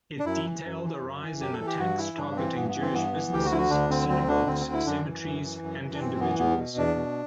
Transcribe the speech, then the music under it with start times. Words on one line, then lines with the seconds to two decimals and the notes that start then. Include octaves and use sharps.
It detailed a rise in attacks targeting Jewish businesses, synagogues, cemeteries and individuals.
0.19 D4
0.25 F#2 E4
0.45 E3
0.64 F#2
0.84 E3
1.02 F#2
1.21 E3
1.40 F#2 G4
1.53 A4
1.60 E3
1.67 G4
1.79 G2 F#4
1.98 E3 E4
2.17 G2 D4
2.36 E3 C4
2.56 G2 B3
2.69 B3
2.74 E3
2.81 C4
2.94 G2 B3
3.14 E3
3.33 D2 G4
3.45 F#4
3.51 D3 E4
3.58 F#4
3.70 D2 D4
3.90 D3 C4
4.09 D2 C4
4.28 D3 D4
4.47 D2 C4
4.61 C4
4.67 D3
4.73 E4
4.86 F#2 D4
5.05 E3
5.23 F#2
5.43 E3
5.62 F#2
5.81 E3
5.94 D4
6.00 F#2 C4
6.20 E3 B3
6.38 E2 B3
6.58 B2
6.77 E2 D4
6.96 B2